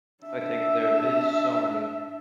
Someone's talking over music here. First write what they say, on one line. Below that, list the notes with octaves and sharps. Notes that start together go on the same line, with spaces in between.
I think there is so many
D4 E5